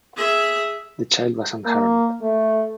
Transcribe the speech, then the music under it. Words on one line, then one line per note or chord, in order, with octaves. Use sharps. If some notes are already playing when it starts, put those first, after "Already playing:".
The child was unharmed.
G#4 E5
A#3
A3